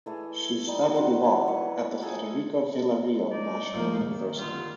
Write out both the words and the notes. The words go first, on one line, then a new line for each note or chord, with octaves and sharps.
She studied Law at the Federico Villarreal National University.
E3 A3 G#4 A4
G3 D#4
F4 F#4 C5
E3 F#3 G4 D5
B4 C#6
D#4 F4 G#4 A4
D#4 D5
F3 A#3
D#3
G2 D3 F4